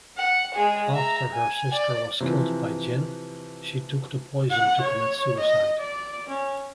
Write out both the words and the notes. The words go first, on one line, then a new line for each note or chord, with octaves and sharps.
After her sister was killed by Gin, she took the poison to commit suicide.
F#5
G#3 G#4
E5 A#5
G#5
D5
C3 E3 F3
F#5
C#5
D#5
D5
C#4